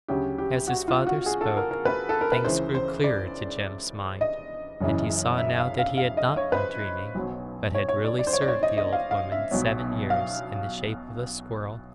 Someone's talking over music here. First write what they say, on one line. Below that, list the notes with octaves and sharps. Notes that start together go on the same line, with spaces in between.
As his father spoke, things grew clearer to Jem's mind, and he saw now that he had not been dreaming, but had really served the old woman seven years in the shape of a squirrel.
D2 C#3 F#3 G4
G4
F#4
F4
F#4
G#4
A4
A#4
A#4
B4
A4
A#4
B4
C#2 C#3 E3 C5
C5
D5
D#5
F#1 F#2 C#3 E3
E5
F5
F5
F5
D#5
C#5
B4
C5
B1 B2 F#3
C#5
C#5
D5
D5
C5
C#5
D5
C#5
D#5
D#5
F5
F5
E5
B1 B2 F#3
F5